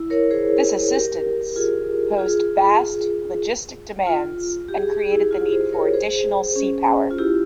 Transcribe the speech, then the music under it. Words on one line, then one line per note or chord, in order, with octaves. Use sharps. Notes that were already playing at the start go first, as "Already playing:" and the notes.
This assistance posed vast logistic demands and created the need for additional sea power.
Already playing: E4
A#4 C#5
G#4 C5
G4 A#4
F4 G#4
F4 G#4
F4
G4
G#4
G4
G#4
G4
G#4
E4 G4
G4
F4
G#4 C5
A#4 C#5
G#4 C5
C#4
F4
E4 G4